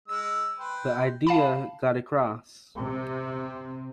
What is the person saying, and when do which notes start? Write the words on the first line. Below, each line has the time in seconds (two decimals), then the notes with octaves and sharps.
The idea got across.
0.08 G#3 E6
0.59 B4 C5 G5
1.27 F5 A5 B5
2.80 C3 C4